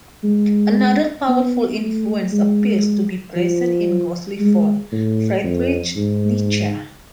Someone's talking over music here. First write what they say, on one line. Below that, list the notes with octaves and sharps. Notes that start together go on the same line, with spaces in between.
Another powerful influence appears to be present in ghostly form : Friedrich Nietzsche.
G#3
B3
A3
G#3
F3
G#3
A2
F2
G#2